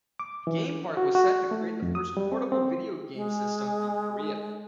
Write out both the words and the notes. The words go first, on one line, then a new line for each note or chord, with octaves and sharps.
Game Park was set to create the first portable video game system from Korea.
D6
E3
F#4
F#4
A3
F2
D#6
G3
C4
C4
G#3